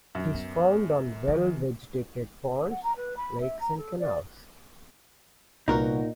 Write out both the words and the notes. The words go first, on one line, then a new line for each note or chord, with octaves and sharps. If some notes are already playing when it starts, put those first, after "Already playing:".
It is found on well-vegetated ponds, lakes and canals.
F#2
B3
D#3
F#5
A#5
B4
B5
E5
A#5
A4
D5
C2 A#2 B3 D#4 F#4 A#4